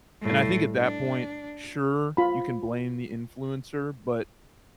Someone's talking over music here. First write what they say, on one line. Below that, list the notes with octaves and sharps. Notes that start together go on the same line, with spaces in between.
And I think at that point, sure, you can blame the influencer, but,
A2 G3
D4
F4 B5